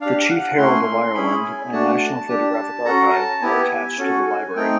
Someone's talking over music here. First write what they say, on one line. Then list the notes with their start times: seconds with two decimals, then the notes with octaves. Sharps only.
The Chief Herald of Ireland and National Photographic Archive are attached to the library.
0.01 D4 G4 F5
0.30 F#5
0.58 A3 C#4 E4 C6
1.14 C#4 E4 G#4 B5
1.43 G#5
1.72 A3 D4 F#4 A5
2.29 D4 G4
2.85 C#4 F#4 A4 A#5
3.14 A5
3.41 B3 E4 G4 G#5
3.98 C#4 F#4 A4
4.56 A3 C4 D#4 G5